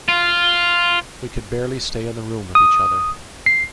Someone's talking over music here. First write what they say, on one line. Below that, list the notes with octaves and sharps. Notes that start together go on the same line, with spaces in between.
We could barely stay in the room with each other.
F4
D#6
C7